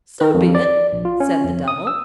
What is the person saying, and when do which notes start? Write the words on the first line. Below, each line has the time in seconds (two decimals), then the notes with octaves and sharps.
"So be it," said the devil.
0.21 D#3
0.34 F2
0.55 D5
0.93 A#1
1.05 F4
1.20 C#4
1.44 F2
1.68 D#6
1.87 E6